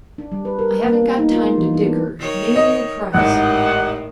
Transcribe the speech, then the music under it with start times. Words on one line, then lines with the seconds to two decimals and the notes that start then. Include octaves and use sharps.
"I haven't got time to dicker--name your price."
0.18 D4
0.32 G3
0.45 B4
0.59 A#4
0.85 A#3
1.02 B3
1.18 D#4
1.32 F4
1.44 G3
1.58 E3
1.74 D4
1.86 B3
2.19 D#3 C#5
2.56 D#5
3.14 G#1 A2 D#3 D#4 G4 F#5